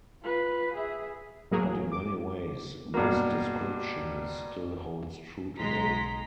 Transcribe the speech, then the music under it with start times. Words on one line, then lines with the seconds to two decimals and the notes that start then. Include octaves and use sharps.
But in many ways, this description still holds true today.
0.23 F4 B4
0.74 G#4 E5
1.51 A2 F#3 A#3 G#4
1.92 D6
2.94 G2 B2 F#3 A#3
5.57 B1 G#3 A#5 C6 B6